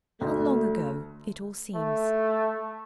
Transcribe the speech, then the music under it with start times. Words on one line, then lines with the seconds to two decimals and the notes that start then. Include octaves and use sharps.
How long ago it all seems.
0.21 D2 A3
1.75 A3